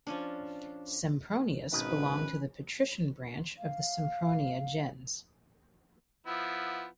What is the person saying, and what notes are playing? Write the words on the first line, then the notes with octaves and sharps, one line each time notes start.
Sempronius belonged to the patrician branch of the Sempronia gens.
F3 C#4 D4
G#1 B2 D#3 C#4 B4
F5
F3 B3 E4